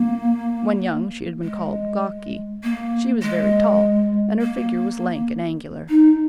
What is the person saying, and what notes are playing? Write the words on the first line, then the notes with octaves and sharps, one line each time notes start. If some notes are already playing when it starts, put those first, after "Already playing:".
When young she had been called "gawky." She was very tall and her figure was lank and angular.
Already playing: A#3
G#3
A#3
G#3
A#3
D#4